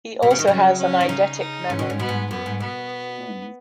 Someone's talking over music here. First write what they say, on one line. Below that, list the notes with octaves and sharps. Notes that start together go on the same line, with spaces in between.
He also has a eidetic memory.
B2
C#3
D#3
C#3 F#3 C#4
C#4
D#3
C#3 D#4
D#4
G#2 C#4
B2
G#2
B2 B3
G#2
F#2 B3
G#2
B2 B3